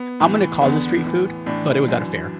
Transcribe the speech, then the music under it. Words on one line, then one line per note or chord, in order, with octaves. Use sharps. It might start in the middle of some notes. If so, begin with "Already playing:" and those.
I'm gonna call this street food, but it was at a fair.
Already playing: B3
A2 E3
E2 D3 B3
A2 E3
A2 E3 D4
F#2 E3